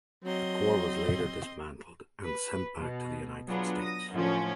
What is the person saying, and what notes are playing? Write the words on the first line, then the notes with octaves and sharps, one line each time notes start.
The core was later dismantled and sent back to the United States.
F#3 C4 D#5 C6
B4
B2
F#3 B3 D4 F4 G#4
D#6 A#6
F#2 A2 D3 F3 C#4